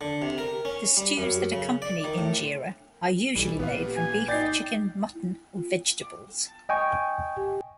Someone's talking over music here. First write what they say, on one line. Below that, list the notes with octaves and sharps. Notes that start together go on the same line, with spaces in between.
The stews that accompany injera are usually made from beef, chicken, mutton or vegetables.
D3
C3
A#4
C#4
G3
F#2
C#3
D5
D#3
A2
B1 E3 G3
A1 A#2 B3 F5
G#5
D#4 D5 G5 A6 C7
D#5 G5 G#5 C#6